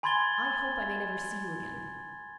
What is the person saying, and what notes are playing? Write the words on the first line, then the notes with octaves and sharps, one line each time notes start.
I hope I may never see you again.
G#5 B5 C6 G#6 A6 G7